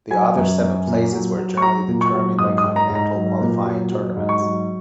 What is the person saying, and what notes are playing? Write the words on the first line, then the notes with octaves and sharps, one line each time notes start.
The other seven places were generally determined by continental qualifying tournaments.
F#3 G#5
F#2
F#2
A#2
F#3
F#3
C#6
F#3 A#5
A#2
C#6
F#3
G#2 D#6
D#6
G#2
A#5
G#2
A#5
F#3
A#2
F#3
F#3
G#2
C#6
F#3